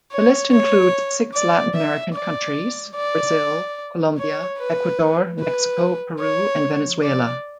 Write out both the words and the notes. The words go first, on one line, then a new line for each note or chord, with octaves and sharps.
The list includes six Latin American countries: Brazil, Colombia, Ecuador, Mexico, Peru and Venezuela.
C#5
C#5
D5
E5
D5
D5
C#5
B4
B4
C#5
D5